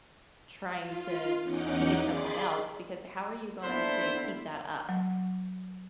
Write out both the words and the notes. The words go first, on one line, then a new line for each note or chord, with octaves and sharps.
trying to be someone else, because how are you going to keep that up,
F4
E2 C#4 D#4 F#5 D6 G6
G#4 D5 B5 C6 D6
D3 A#3 B3 E4 C5 C6
F#3